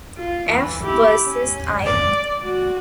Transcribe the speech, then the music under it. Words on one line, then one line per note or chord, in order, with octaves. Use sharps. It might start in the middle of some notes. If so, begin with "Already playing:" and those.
F. versus I.
F4
E3
E4 G4
C#4
D5
F#4